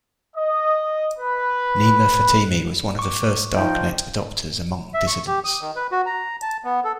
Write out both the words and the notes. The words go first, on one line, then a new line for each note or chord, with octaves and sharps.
Nima Fatemi was one of the first Darknet adopters among dissidents.
D#5
B4
C#6 D6
F3 D#4 G5
E5
C#6
G4
D#6
D#3
B4
F#4
A#5
A5
B3
A4